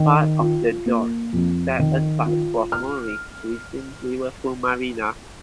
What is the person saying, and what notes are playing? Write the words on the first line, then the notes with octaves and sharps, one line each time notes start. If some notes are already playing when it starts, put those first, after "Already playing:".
Part of the dock is set aside for moorings within Liverpool Marina.
Already playing: D#3
F4
A#3
F2
D#3
F4
F6